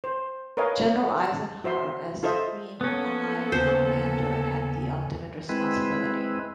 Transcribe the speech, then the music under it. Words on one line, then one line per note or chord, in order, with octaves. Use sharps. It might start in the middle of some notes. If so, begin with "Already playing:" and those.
General Eisenhower, as Supreme Allied Commander, had the ultimate responsibility.
C5
A#4 B4 C#5 D#5 F5 G#5
A5
F#4 C5 E5 C6
F4 A4 C5 D#5 E5
A#3 B3 C#4 A4
D#2 C#3 C5 G#5
G#3 C4 E4 B4